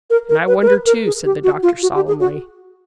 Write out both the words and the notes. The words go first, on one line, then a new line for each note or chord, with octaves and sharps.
"And I wonder too," said the doctor solemnly.
A#4
A#4
B4
A#4
B4
A#4
G#4
G4
F#4
F4
F#4
G4
G#4
F#4